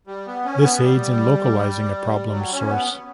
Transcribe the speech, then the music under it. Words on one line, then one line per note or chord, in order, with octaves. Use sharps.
This aids in localizing a problem's source.
G3
B3
C#4
B3
G3
F#3
C#4
B3